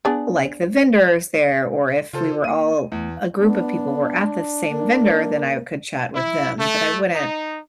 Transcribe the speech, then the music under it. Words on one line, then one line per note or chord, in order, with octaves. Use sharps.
like the vendors there, or if we were all, a group of people were at the same vendor, then I could chat with them, but I wouldn't
B3 D4 G#4
C#3 F4 A4 C5
A#3 D#7
E2 A3
B3 D4
A#3
E4
A3
D#4